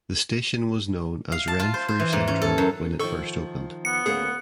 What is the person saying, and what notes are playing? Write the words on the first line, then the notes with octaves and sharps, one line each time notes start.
The station was known as Renfrew Central when it first opened.
F5
A5
F4
C5
C5
E3
G#2
C#4
A4
F#2
D#3 F3 A4 C#6
B3 C#7
D2 A#3 C#4 G#4